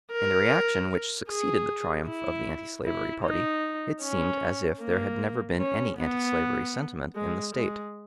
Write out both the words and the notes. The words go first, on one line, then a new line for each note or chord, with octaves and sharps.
In the reaction which succeeded the triumph of the antislavery party, it seemed as if there had never been any antislavery sentiment in the State.
A#4
G#4
E4
E4
D#4
C#4
A#3
C#4
B3
G#3
G#3